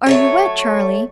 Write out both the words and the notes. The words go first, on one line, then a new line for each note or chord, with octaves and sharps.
'Are you wet, Charlie?'
F#3 A3 C#5